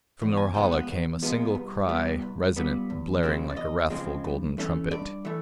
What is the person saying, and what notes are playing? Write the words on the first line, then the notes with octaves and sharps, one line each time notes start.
From Norhala came a single cry--resonant, blaring like a wrathful, golden trumpet.
E2
G#5
C3 F3 G#3 B3 G5
F#5
E2
C3 F3 G#3 B3
C2
A#2 G3 B3
C2
A#2 G3 B3
E2
C#3 F3 G#3 C4
D5
E2 D#5
C#3 F3 G#3 C4
G2
E3 A3 C#4
G2 D5
E3 A3